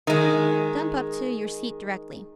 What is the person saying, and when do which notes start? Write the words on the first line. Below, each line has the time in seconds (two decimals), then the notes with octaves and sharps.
Jump up to your seat directly.'
0.07 D#3 G#3